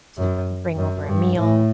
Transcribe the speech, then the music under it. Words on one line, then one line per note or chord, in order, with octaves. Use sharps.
to bring over a meal,
F#2
F#2
G2
A2